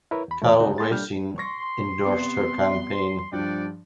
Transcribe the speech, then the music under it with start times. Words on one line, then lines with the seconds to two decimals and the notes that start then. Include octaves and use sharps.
Karl Racine endorsed her campaign.
0.11 E4 A#4 B4 C#5
0.28 E2 B5
0.42 E2 A2 A3
0.59 D2 C#3 G#3 D#4 F#4 D5
0.78 A#3 G#4 C6 A6
0.91 G3 D4 F6 G6
1.38 C6 C#6 A#6
2.06 C3 B3
3.32 G2 F3 D4 D5 F#5 G5